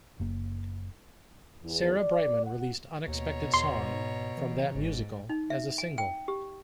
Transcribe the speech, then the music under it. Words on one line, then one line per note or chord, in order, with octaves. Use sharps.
Sarah Brightman released "Unexpected Song", from that musical, as a single.
F#1 A#3
E2
D5
F#5
D#2 B2 C#5 A#5
E2 C6
G#2
E3
G1 G#2
D#4
E5
G#5
G5
G4